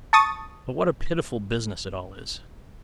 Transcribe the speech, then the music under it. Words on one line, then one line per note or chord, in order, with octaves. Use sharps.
But what a pitiful business it all is!
A5 C#6 D#6 A6